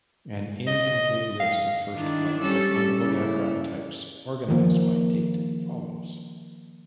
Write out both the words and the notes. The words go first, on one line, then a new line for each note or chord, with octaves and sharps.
An incomplete list of first flights of notable aircraft types, organized by date, follows.
D#5
F5
D#3 D4 E4
G3 C#4 A4
C#3 A#3 E4
D#3 F3 A#3